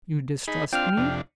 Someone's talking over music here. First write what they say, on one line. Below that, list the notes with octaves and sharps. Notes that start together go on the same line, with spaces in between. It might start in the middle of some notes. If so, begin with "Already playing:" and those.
You distrust me?
D#4 G#4 B5
C4 D4 F4 G5 F6
F2 C3 D4